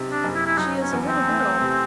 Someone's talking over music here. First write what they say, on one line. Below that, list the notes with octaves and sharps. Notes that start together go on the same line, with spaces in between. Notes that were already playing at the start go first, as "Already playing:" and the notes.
She is a little girl.
Already playing: B1 C3
D4
F#1
E4
E4
F#3 D#4
C#4
E2
C4
A3
C3